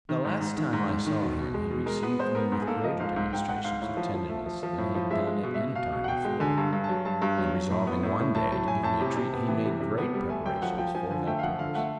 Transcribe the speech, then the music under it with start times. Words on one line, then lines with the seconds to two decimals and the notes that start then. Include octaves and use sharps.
The last time I saw him, he received me with greater demonstrations of tenderness than he had done at any time before; and resolving one day to give me a treat, he made great preparations for that purpose.
0.09 D#3
0.25 G#2
0.40 G#2
0.57 D#3
0.73 G#2
0.89 G#2
1.06 D#3
1.22 B2
1.38 B2
1.54 G#3
1.70 B2
1.86 G#3 A#4
2.03 B3 B4
2.19 G#3 C5
2.35 B3 A#4
2.52 G#2
2.62 G#4
2.67 A#3 A4
2.84 F3 D#5
3.00 G#2 F5
3.16 G#2 F5
3.33 G#2 G5
3.48 G#2 F#5
3.64 G#2 F5
3.82 A2
3.97 F3
4.14 F3
4.29 A3
4.46 F3
4.63 F3
4.78 A2
4.95 F3
5.10 G#3 E5
5.27 G#3
5.43 B2
5.54 E5
5.60 B2
5.75 B2 F5
5.92 B2
6.04 F#5
6.08 B2 G5
6.25 G#3
6.40 D3 G#5
6.57 G2
6.72 G2
6.84 F#3 A5
7.05 G2 A5
7.22 G2
7.38 F#3
7.54 F#3
7.70 A2
7.87 B3
8.03 A2
8.19 A2
8.35 A2 A5
8.52 F#3 A5
8.68 A2 G#5
8.83 A2 A5
9.00 C3
9.17 C3
9.33 B3
9.48 E3
9.65 C3
9.80 C3
9.98 B3
10.14 G3
10.29 A3 G#5
10.46 F#2 G5
10.62 F3 F#5
10.78 F3 G5
10.95 F3 G#5
11.10 D3 G#5
11.27 A3 G5
11.39 F5
11.43 F3 F#5
11.59 D3 F5
11.75 A3 F#5